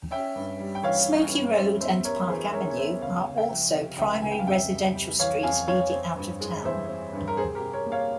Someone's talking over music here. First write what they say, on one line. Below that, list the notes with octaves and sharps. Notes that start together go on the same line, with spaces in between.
Smokey Road and Park Avenue are also primary residential streets leading out of town.
C#4 E5 G5
G2
G3
G5
E3 C#5 F5
C#4
G2
C#4 C5 E5
E2 C5 E5
G3 A#4 C#5
E3 G#4 C5
E5
C#4 A#4 C#5
C#5
E2 C5 E5
C#2 C#5 F5
C#2
E5 G5
F3
C3
C#2 E5 G5
C#2 G#5
G5
F5
F2 E5 G5
F2
G3
E3 C#5 F5
F2 F5 G#5
F2 C#5 F5
C4
G2
G#3
E3 C5 E5
C4
G2
A#4
C3 G#4 C5
G4 A#4
C3
A#4 C#5
A#3
C#5 F5